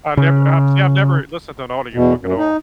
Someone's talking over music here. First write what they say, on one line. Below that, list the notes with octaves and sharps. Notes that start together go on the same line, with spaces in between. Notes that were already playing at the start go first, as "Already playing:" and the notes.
I've never I've see, I've never listened to an audiobook at all.
C#3
E2 B2
F#2
D#4